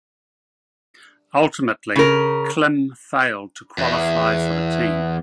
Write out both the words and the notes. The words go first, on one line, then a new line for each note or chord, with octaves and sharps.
Ultimately Klim failed to qualify for the team.
C#3 A#4
E2